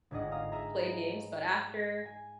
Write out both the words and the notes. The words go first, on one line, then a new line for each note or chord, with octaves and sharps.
played games, but after
G1 D2 G#2 G#4 D#5 F#5
F5 A#5 D#6
G#4 E5 G#5 A#5
D#5 A#5 B5
G#5